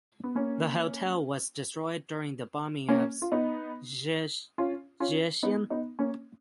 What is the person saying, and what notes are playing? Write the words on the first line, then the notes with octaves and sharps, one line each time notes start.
The hotel was destroyed during the bombing of Szczecin.
B3
A#3 C#4
A#3 C#4
F4
B3 D#4
C#4 F4
C#4 F4
B3 D#4
B3 D#4
A#3 C#4